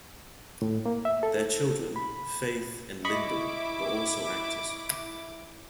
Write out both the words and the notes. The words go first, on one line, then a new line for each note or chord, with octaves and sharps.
Their children, Faith and Lyndon, were also actors.
A2
A#3
E5
A4
B5
E4 D#5 B5 C#6 D6